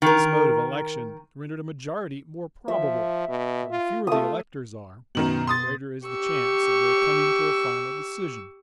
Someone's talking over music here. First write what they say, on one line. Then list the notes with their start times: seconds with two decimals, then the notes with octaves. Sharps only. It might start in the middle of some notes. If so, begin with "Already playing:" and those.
This mode of election rendered a majority more probable; for the fewer the electors are, the greater is the chance of their coming to a final decision.
0.02 D#3 A#4
2.68 F3 E5
3.29 B2
3.71 F4
4.07 A3 F4 D#6
5.15 F#2 B2 D#3 B3 F#7
5.47 C6 D#6 A6
6.07 G4 C#6 E6